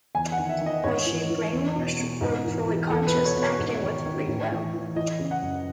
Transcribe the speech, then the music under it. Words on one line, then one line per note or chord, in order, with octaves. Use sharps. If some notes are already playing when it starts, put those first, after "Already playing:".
Was she "brainwashed" or fully conscious, acting with free will?
E2 G#5
F#5
D#3
E5
D#3
D#5
G#2 C#5
E3
E3
E2
B2
B2
G#2
E3
E3
E2 A4
B4
B2
C#5
B2
C#5
G#2
D#3
D#3
A2
E3
E3
E3 D#5
C#3
F#5
F#2